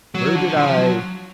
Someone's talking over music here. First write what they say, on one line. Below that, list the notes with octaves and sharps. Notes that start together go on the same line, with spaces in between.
Where did I?
F#3
D3
F3
F#3